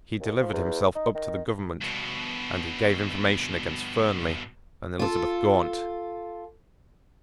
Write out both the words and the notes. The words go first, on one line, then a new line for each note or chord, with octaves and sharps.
He delivered himself up to the government; and he gave information against Fernley and Elizabeth Gaunt.
D#2
F3
E2
D#4
D#3
G2 B2
F4 A4